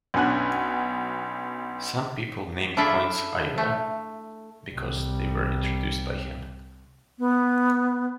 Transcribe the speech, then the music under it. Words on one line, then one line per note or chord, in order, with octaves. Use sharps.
Some people name coins "ayora" because they were introduced by him.
B1 C#4 D4 F#5 G#5 F#6
D4 E4 F4 G#4 A4 E5
A3
C2 G3
B3